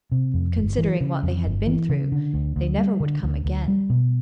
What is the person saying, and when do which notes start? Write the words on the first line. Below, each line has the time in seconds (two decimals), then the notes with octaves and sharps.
Considering what they had been through, they never would come again.
0.12 C3
0.34 F2
0.56 G1
0.78 E3
1.01 C#3
1.23 F2
1.45 G1
1.67 E3
1.89 C#3
2.12 D3
2.34 D2
2.56 D2
2.78 G3
3.00 D3
3.23 D2
3.45 D2
3.68 G3
3.90 B2